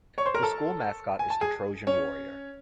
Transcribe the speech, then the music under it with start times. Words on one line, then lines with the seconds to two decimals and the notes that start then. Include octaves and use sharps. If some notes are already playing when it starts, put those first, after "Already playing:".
The school mascot is the Trojan Warrior.
0.18 C#5 C#6
0.26 C5 C6
0.35 A#4 A#5
0.43 A4 A5
1.19 G#5
1.30 A5
1.41 G#4 G#5
1.87 C#4 C#5